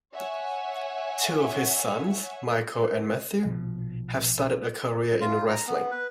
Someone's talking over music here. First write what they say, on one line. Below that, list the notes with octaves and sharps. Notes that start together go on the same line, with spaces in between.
Two of his sons, Michael and Matthew have started a career in wrestling.
C#5 E5 F#5 G#5
A#4
A#1 B2 F3
F4
A#5
B3
B4